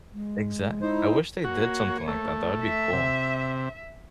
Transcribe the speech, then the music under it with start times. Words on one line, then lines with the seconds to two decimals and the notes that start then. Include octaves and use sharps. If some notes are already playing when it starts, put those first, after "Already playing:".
Exact I wish they did something like that. That would be cool.
0.13 G#3
0.82 D#4 E4 C5
1.44 A#3 F#4 C#5
2.08 A3
2.61 E5
2.93 C3